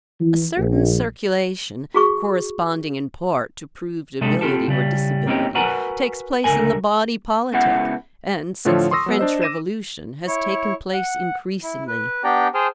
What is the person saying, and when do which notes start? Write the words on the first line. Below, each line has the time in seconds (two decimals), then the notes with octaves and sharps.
A certain circulation, corresponding in part to proved ability or disability, takes place in the body politic, and, since the French Revolution, has taken place increasingly.
0.21 E3
0.57 A#1
1.94 F#4 G#4 C#6
4.21 C3 G3 G#3 D4 A4
4.41 C4 F4 G4 A4
4.68 C#3 G3
5.27 A#3 C4 C#4 D#4 G4
5.55 F#4 A#4 B4 F#5 G#5 A#5
6.44 C#2 D3 A#4 G#5
7.53 C#2 C#3 B3 E4 F#5
8.65 A2 D3 F3 F4 A4 C#5
8.91 C6 C#6 D#6 E6 A#6
9.06 F#3 B3
9.19 D4 C5 D#5
9.42 D6 A#6 D#7 E7
10.27 E4 C#5
10.93 F#5
11.63 E4
11.88 B4
12.24 B3 D4 G4 D5 G5 A#5
12.54 G#4 C5 G5 A5 D#6 F6